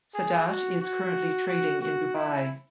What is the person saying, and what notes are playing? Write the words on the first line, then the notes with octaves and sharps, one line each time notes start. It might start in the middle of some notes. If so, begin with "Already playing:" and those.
Sadat is currently trading in Dubai.
G#4
F#4
F#4
F#4
F#4
E4